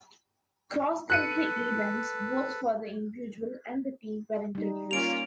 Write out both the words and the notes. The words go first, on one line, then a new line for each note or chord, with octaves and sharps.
Cross-country events, both for the individual and the team, were introduced.
A4 B4 F#6 C#7 D#7
G3 D#4
A#3 C#4 F4 D7 F7